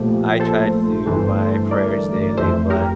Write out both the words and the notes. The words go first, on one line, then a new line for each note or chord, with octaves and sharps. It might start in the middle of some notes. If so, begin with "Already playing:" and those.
I try to do my prayers daily, but,
Already playing: A#1 A#2 F3 A3 G4
A4 C5
G1 G2 E3 A3
A#4 D5
F2 E3 A3 C5 E5
G4 A#4